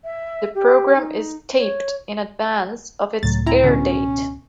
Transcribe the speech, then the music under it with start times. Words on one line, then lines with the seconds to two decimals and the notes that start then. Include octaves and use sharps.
The program is taped in advance of its airdate.
0.04 E5
0.54 G4
0.95 D#4
1.57 C#5
3.23 C#2 A2 F#3 A3 A6
3.47 C4 E4 A#5
3.64 B2 D3 C#4